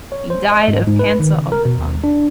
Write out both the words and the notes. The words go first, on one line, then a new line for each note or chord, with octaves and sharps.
He died of cancer of the tongue.
C#5
C5
D#5
G#2
G#2
B4
D#3
C#3
A#4
B2
D#2
D4